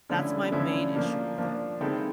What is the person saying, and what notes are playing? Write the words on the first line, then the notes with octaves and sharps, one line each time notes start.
That's my main issue with it.
D3 F3 A3 C#4 E4
D3 F3 A3 C#4 E4
F3 A#3 D4
F3 A#3 D4
D#3 G#3 C4 E4 A4